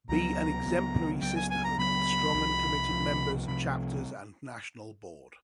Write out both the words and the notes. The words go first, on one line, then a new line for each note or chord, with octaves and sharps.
Be an exemplary sisterhood with strong and committed members, chapters and national board.
C#2 C#3 F#3 B3 A#5
C#2 C#3 F#3 B3
C#2 C#3 F#3 B3 G5
G#5
G#5
A#5
C#2 C#3 F#3 B3 B5
C2 C3 F3
C2 C3 F3
C2 C3 F3 B5